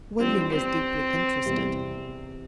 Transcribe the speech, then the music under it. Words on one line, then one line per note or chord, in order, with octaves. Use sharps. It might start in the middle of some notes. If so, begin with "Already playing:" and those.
William was deeply interested.
E3 G3 C4 D4 F4
C4
E2 C3 G3